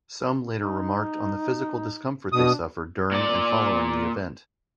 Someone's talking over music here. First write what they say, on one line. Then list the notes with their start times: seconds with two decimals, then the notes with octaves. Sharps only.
Some later remarked on the physical discomfort they suffered during and following the event.
0.59 D#4
2.33 B2 D4 D#6
3.12 A#2 D5